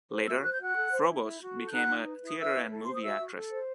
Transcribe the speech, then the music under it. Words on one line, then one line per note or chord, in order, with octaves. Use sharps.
Later, Froboess became a theatre and movie actress.
C5
F#4 E5 E6
C5 F#6
G6
F#4 F#5 F#6
A4
C5
E4
E4
F#4
A4
G6
D#4 F#5 F#6
D#4
B4
E4
D#6
B4 E5 E6
E4
A4
C5 C6
D#6
F#4 E5 E6
F#4
A4
C5